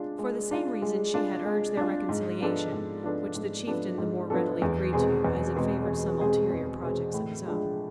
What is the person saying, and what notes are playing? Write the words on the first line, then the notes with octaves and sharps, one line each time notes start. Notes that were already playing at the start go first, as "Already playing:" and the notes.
For the same reason she had urged their reconciliation, which the Chieftain the more readily agreed to as it favoured some ulterior projects of his own.
Already playing: G#3 D4 F4
G#3
D4 F4
G#3
D4 F4
G#3
D4 F4
G#2
F3 B3 D4 A4
G#2
F3 B3 D4 A4
G#2
F3 B3 D4 A4
G#2
F3 B3 D4 A4
E2
B2 G#3 C4 G#4
E2
B2 G#3 C4 G#4
E2
B2 G#3 C4 G#4
E2
B2 G#3 C4 G#4
A2
F3 G#3 D4